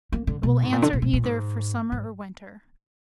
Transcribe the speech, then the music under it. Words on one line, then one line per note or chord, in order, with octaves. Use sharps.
It will answer either for summer or winter.
A#3
D3
B2
G#2
A#2
D3
A#2
B2
A#2
G#2
G#2